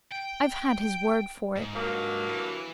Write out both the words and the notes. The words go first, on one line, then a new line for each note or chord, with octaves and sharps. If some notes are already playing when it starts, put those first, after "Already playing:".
I've had his word for it.
G5
G#2
G2 F#3 A#3
E3